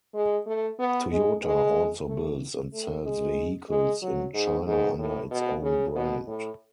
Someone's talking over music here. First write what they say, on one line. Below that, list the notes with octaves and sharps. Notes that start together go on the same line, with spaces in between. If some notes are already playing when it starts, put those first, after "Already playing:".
Toyota also builds and sells vehicles in China under its own brand.
G#3
A3
B3
G#3
G#3
A3
A3
G#3
G#3
F#3
G#2
G#2
A2
B2
C#3
B2
A2